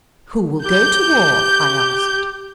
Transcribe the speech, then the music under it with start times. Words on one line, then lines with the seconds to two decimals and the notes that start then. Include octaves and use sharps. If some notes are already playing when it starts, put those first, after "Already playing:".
"Who will go to war?" I asked.
0.66 G4 G6